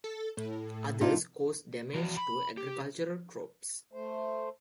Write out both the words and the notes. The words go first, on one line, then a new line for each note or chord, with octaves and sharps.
Others cause damage to agricultural crops.
A4
A2
D4 D#4 F4
E3 F#4
B5
G4
A3 C5